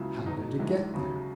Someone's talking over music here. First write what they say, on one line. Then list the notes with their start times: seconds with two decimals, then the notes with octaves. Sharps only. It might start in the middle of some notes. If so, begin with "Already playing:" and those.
How did it get there?
Already playing: C#2 C#3 F#3 E4
0.26 E2 B2 F#3 D#4
0.59 A#1 G#2 E3 G#3
0.94 D#2 C#3 F#3